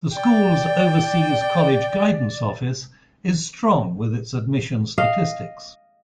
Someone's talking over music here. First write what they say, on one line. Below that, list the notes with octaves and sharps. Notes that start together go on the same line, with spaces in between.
The school's Overseas College Guidance Office is strong with its admission statistics.
D5 G5
D#5 F5